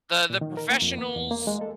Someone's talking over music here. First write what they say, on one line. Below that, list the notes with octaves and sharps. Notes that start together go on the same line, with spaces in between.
The the professionals,
A#2
D#3
A#4
A#3
F2
A#3
E2
A#3
G#3
A4